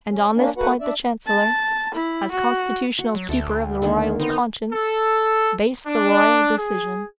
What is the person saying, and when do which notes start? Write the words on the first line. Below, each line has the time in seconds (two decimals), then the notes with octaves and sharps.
And on this point the chancellor, as constitutional keeper of the royal conscience, based the royal decision.
0.08 C#4
0.35 A#3 C#4 D4
0.57 A3 A#3 F#4 B4 F#5
0.80 D4 D5 E5
1.27 A5
1.94 E4
2.31 F#4
2.99 F#4
3.15 F#3
3.29 D2 A4 E5 G5
3.82 D3 D#3 A#3
4.20 B3 C4 D#4
4.72 A4
5.86 D4
6.56 G#4